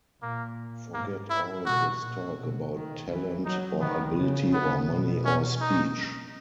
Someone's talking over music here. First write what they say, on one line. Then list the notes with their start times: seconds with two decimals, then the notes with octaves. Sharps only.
Forget all this talk about talent or ability or money or speech.
0.22 A#2 A#3
0.94 G#2 A#3
1.30 E4
1.66 B2 F#4
2.02 A#2
2.38 B2
2.73 D#3
3.09 E3
3.45 F#3 D#4
3.81 D#3 B3
4.17 C#3
4.53 B3
4.89 B2
5.25 C#4
5.61 D#4